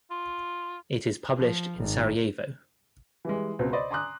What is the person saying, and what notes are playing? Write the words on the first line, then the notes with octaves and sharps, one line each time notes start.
It is published in Sarajevo.
F4
F3
G#1
E3 G3 G#3
C#2 B2 C4
C5 D5 D#5 B5 C6
G#5 A#5 C6 D6 D#6 F#6